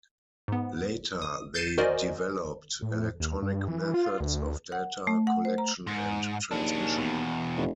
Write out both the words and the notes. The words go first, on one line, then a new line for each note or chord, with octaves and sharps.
Later they developed electronic methods of data collection and transmission.
G#2 B3
D#6
G6 A6 C7 C#7 D#7 E7
F#4 A#4 C5 D5 D#5 G#5
A2
D#2
G2
E3
F4
D2
F#5
A3
F#5
C5
A#5
G#2
D#2 D4 G#4
E2 B2
F1